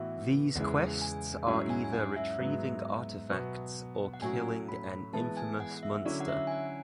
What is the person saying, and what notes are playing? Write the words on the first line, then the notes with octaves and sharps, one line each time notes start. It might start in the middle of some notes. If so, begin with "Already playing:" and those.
These quests are either retrieving artifacts or killing an infamous monster.
Already playing: A2 E3 B3 F#4 E5
E2 C#3 G#3 B3 E4 F#5
G#5
G#2 F#3 C#4 E4 F#5
G#5
G#5
F#5
E5
G#2 F#3 B3
B2 F#3 B3 F#4
F#5
A2 F#3 A3 C#4 F#4 G#5
B5
E3 G#3 B3 A5
G#5
F#5
E5
D3 F#3 C#4 E4 D5
F#5
E5
G#5
F#5